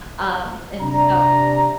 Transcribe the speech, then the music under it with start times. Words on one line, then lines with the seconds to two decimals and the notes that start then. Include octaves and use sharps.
um, and so
0.81 C3 D4 A#5